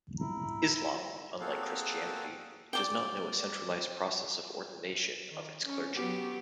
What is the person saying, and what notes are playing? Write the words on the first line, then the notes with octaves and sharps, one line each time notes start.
Islam, unlike Christianity, does not know a centralised process of ordination of its clergy.
E4 A#5
A#3 C4 F#4 G#4 A4 F5
D5 G5
D#3
C#4
F#3 B3 G4